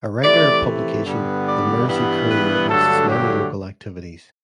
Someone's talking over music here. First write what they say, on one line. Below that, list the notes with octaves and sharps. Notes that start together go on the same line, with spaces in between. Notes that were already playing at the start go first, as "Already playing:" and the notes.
A regular publication, the "Mersea Courier", lists many local activities.
C3 E3 A3 D5
G2 D3 G3 B3
D5
G2 E3 G3 B3
B4
G2 D3 F#3 A3 A4
G4